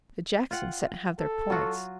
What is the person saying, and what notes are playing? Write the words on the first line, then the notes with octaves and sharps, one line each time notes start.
"The Jackson set have their points."
F4 F#5 G5
A4
F#3 F4 F#4